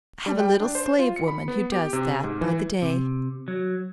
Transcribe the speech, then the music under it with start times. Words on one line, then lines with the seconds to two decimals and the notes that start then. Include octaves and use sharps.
I have a little slave woman who does that by the day.
0.26 G3
0.40 G5
0.60 D4
0.75 C5
0.99 F4
1.16 C#7
1.28 B5
1.48 B3
1.72 G4
1.93 C3
2.24 G#2
2.41 E3
2.82 C3
3.48 F#3